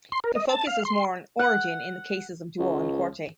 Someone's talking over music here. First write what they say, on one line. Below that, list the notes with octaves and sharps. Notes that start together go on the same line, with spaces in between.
The focus is more on origin in the cases of Duo and Quatre.
C6
A#4
D#5
A5
F5
C6
F#5
C#2